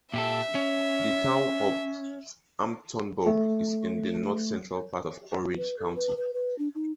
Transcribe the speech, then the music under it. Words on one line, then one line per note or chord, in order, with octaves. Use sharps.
The Town of Hamptonburgh is in the north central part of Orange County.
A#2 G4 A4 E5
C#4
A3
B4
A4
B4
B4
B4
D4
D#4